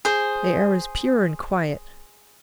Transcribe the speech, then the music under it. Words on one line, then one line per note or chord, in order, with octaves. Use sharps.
The air was pure and quiet.
G#4 C5